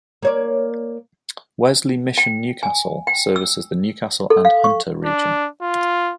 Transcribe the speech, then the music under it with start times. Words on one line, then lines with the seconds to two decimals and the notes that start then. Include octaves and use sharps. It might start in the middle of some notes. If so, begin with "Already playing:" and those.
Wesley Mission Newcastle services the Newcastle and Hunter region.
0.23 A#3 C#5 D5
2.18 G5
2.63 G#5
3.07 G5
3.36 E6
4.30 A4
4.45 F5
4.64 C#6
5.05 D4
5.62 F4